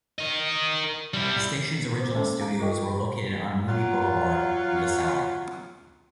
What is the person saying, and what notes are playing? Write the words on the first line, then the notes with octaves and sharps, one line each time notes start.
The station's original studios were located on Mooney Boulevard in Visalia.
A#4 D#5
G3 E4
C5 D6
G#3 C#4 A4 A5
F5 A5 A#5 D6
F4 A4 D#5 G5 C#6
F#3 F4